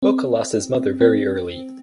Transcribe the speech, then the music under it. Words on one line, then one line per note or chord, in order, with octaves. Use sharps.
Boka lost his mother very early.
C4
C4